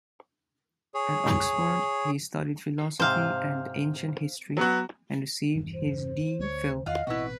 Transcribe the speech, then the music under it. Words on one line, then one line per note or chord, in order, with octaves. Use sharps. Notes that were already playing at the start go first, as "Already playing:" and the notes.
At Oxford he studied Philosophy and Ancient History, and received his D. Phil.
G#4 C#5
G#2 C3 C5 F5
F#3 B3 F#4
E1 G2 E3
C5
D2 C#5
E2 D#3 F4 D#5 F5 F#5 F6
A1 B2 C4 E4 F#4 B4